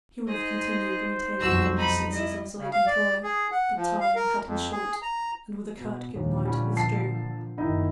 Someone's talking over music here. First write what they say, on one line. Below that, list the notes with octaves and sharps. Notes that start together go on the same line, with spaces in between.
He would have continued retailing reminiscences of his late employer, but Tarling cut him short, and with a curt good night withdrew.
D#4 G#4 C5 D#5
B1 F2 F#4 E6
D#4 B5
G3 E4 D#5
C#3
F5
D5
G#4
F#5
F3
F5
A#4
F2
G#4
A#5
B2
D#2 A#2 D3 F3
G3 C#4
A5 C7
F#1 D#3 D#4 E4